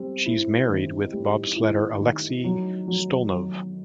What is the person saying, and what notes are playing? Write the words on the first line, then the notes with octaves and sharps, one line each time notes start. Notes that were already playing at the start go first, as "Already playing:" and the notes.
She's married with bobsledder Alexey Stulnev.
Already playing: G3 C4
E4
D#3
G3
E4
D#3
F#3
F#3
F#3